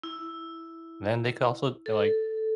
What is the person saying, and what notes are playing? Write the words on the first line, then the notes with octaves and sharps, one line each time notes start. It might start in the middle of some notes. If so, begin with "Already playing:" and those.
then they could also d like
E4
A4